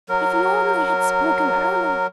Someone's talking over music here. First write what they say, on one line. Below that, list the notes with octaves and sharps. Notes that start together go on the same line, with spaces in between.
If he only had spoken earlier!
F#3 A#4